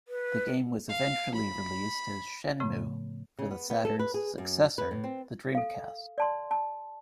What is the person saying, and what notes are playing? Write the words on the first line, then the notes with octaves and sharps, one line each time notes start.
The game was eventually released as "Shenmue" for the Saturn's successor, the Dreamcast.
B4
F5
B5
A2 C#3 F3 A3 B3
C#3
B3
B3
A4
B4
G#4
F#2
B4
A2
C4
A4 F5
D5 A5 C6
A5